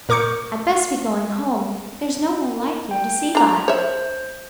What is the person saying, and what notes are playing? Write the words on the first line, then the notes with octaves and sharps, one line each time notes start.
"I'd best be going home; there's no more light here to see by."
A#2 A#4 C#6 D6 G6 C#7
G5
D4 A#5
C5 C#5 E5